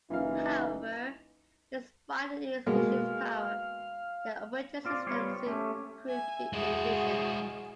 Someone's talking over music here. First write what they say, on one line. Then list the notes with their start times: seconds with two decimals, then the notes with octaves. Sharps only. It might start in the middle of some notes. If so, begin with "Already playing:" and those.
However, despite the new machines' power, their operating system soon proved to be inefficient.
0.10 F#1 E3 D#4 F4 F5
2.67 B2 G#3 A#3 F5
4.85 C4 F4 D5
5.07 G3 B3 F4 C5 C#5
5.46 A3 C#4 G4
6.06 E5 G#5
6.53 G#3 E4 F#4 G#4